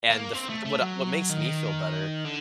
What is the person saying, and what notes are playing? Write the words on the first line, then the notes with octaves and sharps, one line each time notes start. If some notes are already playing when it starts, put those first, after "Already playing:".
and the f what I what makes me feel better,
A#3
C4
A3
A3
F#3
D#3
D3